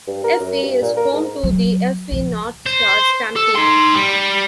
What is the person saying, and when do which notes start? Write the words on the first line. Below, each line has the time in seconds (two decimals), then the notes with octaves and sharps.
Effie is home to The Effie North Star Stampede.
0.07 G2
0.24 A#4
0.40 F#2
0.63 G2
0.82 A#2
0.97 A#4
1.13 G#2
1.43 F#3
2.11 C#3 F3
2.66 C5
3.36 A4
3.55 D#4 C6
3.95 G3